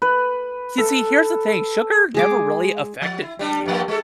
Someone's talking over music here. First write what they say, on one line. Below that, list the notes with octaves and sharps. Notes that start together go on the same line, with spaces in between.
you see, here's the thing, sugar never really affected me
B4
A4
G#3 G#4 D6
F3
E4
G3 D4
G2 F3 A#3
G#3 A4